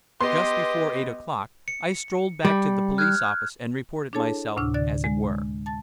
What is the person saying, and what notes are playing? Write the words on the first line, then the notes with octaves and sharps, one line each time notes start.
Just before eight o'clock I strolled back to the police-office and reported myself, as it were.
B3 G4 D#5 C6
C#7
G3
F6 F#6 G#6
D4 E4 G#4 A4 C#5 A5
D2 A2 C3 D4 E6 F6
D3 D5 A6
G#3
A5 A6